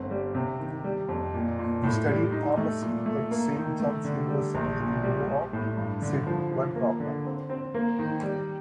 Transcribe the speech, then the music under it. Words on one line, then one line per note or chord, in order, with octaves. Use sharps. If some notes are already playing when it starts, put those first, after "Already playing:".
He studied pharmacy at Saint John's University in New York City but dropped out.
Already playing: G1 C4
G3
C3
D#3
G3
F2
A#2
A#2
A2
G3
D#4
A3
A#2
A3
A#3
D#3
A3
D3
G3
A#1
A#2
G3
G3
A2
G2
D3
F3
F3
A#3
D3
C4
C4
A#3
D#3
G3